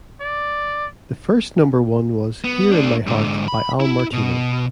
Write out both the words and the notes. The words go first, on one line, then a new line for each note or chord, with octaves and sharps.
The first number one was "Here in My Heart" by Al Martino.
D5
B3
A3 D4
G#2 D3
B5
E4
B2